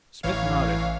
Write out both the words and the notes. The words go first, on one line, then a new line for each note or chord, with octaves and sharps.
Smith nodded.
A1 E3 C#5 F5